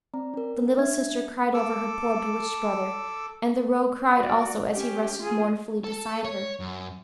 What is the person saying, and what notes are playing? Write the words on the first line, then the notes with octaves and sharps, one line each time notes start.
The little sister cried over her poor bewitched brother, and the roe cried also as he rested mournfully beside her.
C4 D5 A#5
C#4 A#4
D4 E5 G#6
A4 D6 E6
F#4 D5
C#4 G4
F4 G#4
A4 A5
C#5
F#2